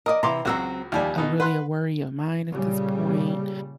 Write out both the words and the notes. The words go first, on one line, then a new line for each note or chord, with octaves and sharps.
a really a worry of mine at this point."
A#4 D5 D#5 D#6
C3 E3 C4 A#5 C6 D6
C#2 F#3 C4 F#4 F#5 E6
D#2 F3 G3 G4 G#5
B2 D#4
B4 F#5 C6 F#6
A#2 C#3 G3